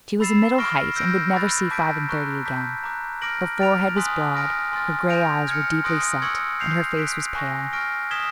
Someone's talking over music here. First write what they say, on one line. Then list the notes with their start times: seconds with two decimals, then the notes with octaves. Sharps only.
She was of middle height, and would never see five and thirty again; her forehead was broad, her gray eyes were deeply set, and her face was pale.
0.20 B5 E6 A6 C7 E7
0.58 C#6 F6 A#6 D7 G7
0.95 E6 G6 A#6 D7
1.33 B5 D6 F#6 A6
1.71 A5 D6 G6 B6 D7
2.08 A#5 C#6 F#6
2.46 A5 D6 G6 B6
2.83 A#5 D6 F#6
3.22 D6 F6 A#6 D7 F#7
3.58 F6 A6 D7 F7
3.96 G#5 C6 D#6 F#6 B6
4.34 F6 A#6 D7
4.72 G#5 C6 F6 A6
5.09 G6 A#6 D7 F7
5.47 F6 G#6 C#7
5.84 C6 D#6 F#6 A#6 D7
6.22 C#6 E6 G#6 C#7 F#7
6.60 G6 C7 F7
6.97 F#6 B6 D7
7.35 G#5 C#6 F#6 A#6
7.73 C#6 F6 A#6 D7
8.10 D#6 G#6 B6 E7 G7